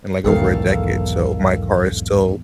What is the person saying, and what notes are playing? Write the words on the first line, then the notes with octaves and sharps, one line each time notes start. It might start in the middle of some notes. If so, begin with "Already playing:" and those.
in, like, over a decade, so my car is still
B1 E2 G#2 D#3 A4 F5